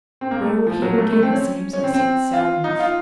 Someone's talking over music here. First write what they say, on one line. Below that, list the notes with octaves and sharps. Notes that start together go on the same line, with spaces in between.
'We're all here again, it seems,' I said, sour enough.
C4
A#3
A3
F3
F#3
A#3
A3
A3
C4
C#4
C#4
C4
C4
F4
D#4
F4